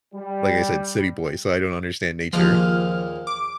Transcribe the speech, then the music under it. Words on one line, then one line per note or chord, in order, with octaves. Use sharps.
Like I said, city boy, so I don't understand nature.
G3
D#2 A#2 F3 G#3 F6
D6